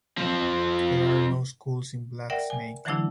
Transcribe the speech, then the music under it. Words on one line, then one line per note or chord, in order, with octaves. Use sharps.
There are no schools in Black Snake.
F3 C4
A#4 D5 E5 F#5 G5
G#5
D3 E3 F#3 A3 D4 E4